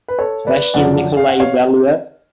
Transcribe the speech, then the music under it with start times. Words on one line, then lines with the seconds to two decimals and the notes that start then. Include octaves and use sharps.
Russian Nikolai Valuev.
0.08 B4
0.19 A4 C#5
0.47 B4 D5
0.74 F#2 D3 F3 D5 F#5
1.17 F5
1.28 F#5
1.39 C#5 F5